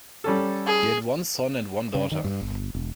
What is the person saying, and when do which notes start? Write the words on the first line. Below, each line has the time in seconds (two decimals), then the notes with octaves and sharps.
He had one son and one daughter.
0.24 G3 C#4 A4
0.67 G#4
1.95 C#3
2.12 D#3
2.24 G2
2.41 G1
2.75 E1